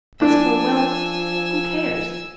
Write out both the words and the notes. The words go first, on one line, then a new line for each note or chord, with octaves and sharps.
As for wealth, who cares?
F3 D4 G#5 E6